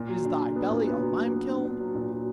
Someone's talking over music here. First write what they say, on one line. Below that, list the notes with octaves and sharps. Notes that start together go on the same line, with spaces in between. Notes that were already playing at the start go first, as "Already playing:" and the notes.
Is thy belly a lime-kiln?
Already playing: A#2
F#3
D4
D4
B3
A#2
B3
F#3
F#3
B3
D4
D4
F#3
A#2
F#3